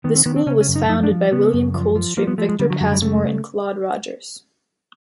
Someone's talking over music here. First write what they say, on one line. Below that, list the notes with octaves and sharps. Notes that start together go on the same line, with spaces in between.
The School was founded by William Coldstream, Victor Pasmore and Claude Rogers.
D#3 B3
C4
D#3 B3
C4
C#3 C#4
C#4
F#2
D#4
F3 D#4
D4
F3
C#3 B3
F#2
F3
F3
F3 A#3
B3
F3 A3
G#3
D3 G3
F#3
F#2 F#3
G3
C#3 A3